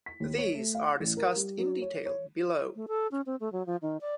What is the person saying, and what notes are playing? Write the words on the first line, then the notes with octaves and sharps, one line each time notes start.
These are discussed in detail below.
B6
D#2
C#5
A3
F5
A1
A#4
G3
F#3
C#5
C#5
A3
A4
C#4
C4
A3
F#3
F3
D#3
D5